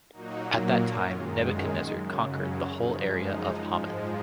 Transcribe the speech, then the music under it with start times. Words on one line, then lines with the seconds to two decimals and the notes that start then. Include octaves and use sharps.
At that time Nebuchadnezzar conquered the whole area of Hamath.
0.12 A#2 F#3 A#3 D#4 F#4
1.01 F#2 D#3 G#3 C#4 F4
1.90 F#2 C#3 F#3
2.35 C#4
2.78 F#2 F3 G#3 D#4
3.23 D#4
3.68 G#2 F3 G#3